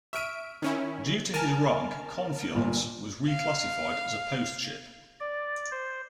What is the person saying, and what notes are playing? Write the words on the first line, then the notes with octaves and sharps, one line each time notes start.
Due to his rank, "Confiance" was reclassified as a post-ship.
E5 C#6 F6 D7 D#7
D#3 C#4 E4
A#4 G#5 A5 F6 D7 D#7
G1 A#2
F5
D5
C5